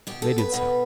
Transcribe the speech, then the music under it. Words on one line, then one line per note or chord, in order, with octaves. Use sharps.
They did so.
B2 G4
A4
B4
B2